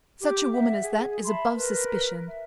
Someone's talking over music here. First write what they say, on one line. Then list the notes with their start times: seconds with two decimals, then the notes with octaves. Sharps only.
Such a woman as that is above suspicion.
0.21 G4 D6
0.52 E5 F#5
0.82 G#4
1.26 E5 A5 B5 C6
1.53 A#4 B4
2.27 E5